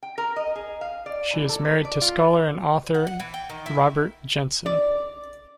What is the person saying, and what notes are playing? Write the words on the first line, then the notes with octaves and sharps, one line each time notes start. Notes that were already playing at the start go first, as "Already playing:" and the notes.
She is married to scholar and author Robert Jensen.
G5
A#4
D#5
G#4
F5
D5
E3
A4
B4
D5
F4
F#5
F#5
E3
G5
D#3
E4
D5